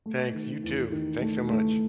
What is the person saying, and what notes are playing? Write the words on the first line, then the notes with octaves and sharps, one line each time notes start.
Thanks, you too. Thanks so much.
A3
D#3
E2
D#3
A3
A3